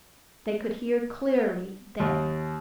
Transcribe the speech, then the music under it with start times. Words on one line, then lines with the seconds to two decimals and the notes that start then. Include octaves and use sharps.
They could hear clearly there.
2.00 D#2